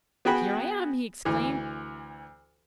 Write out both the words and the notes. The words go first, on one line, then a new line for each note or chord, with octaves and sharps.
'Here I am!' he exclaimed.
B3 F#4 G#4 G5 B5
D2 E3